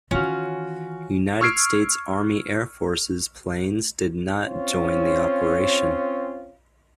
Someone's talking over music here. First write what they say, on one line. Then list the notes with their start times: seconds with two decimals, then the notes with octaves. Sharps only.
United States Army Air Forces planes did not join the operation.
0.11 D#3 E3 C#4 F4 F#4
1.41 C#6 E6 F6 G#6 C7 D7
4.44 C4 C#4 F4 C#5